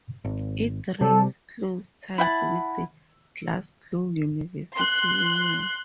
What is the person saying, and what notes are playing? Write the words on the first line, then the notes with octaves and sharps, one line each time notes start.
It retains close ties with the Glasgow University Union.
G#1
C3 G3 A4
E4 F#5 G5 A5
C6 F#6